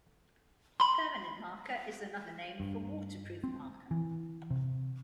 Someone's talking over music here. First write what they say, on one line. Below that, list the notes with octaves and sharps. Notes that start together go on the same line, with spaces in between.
Permanent marker is another name for "waterproof" marker.
B5 C6
G2
C4
E3
C3